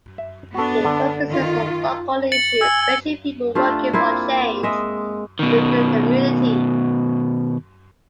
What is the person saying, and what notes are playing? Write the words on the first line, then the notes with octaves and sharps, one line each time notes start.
It focuses on local issues, especially "people working for change" within the community.
E5
B3 D4 F#4 A4
D3
D#3 F4
A6 C#7 F#7
G#5 E6
G#5
A3 D4 F4 G4
A#3 C4 E4 F4
G#3 D#5 E5
B2 D#3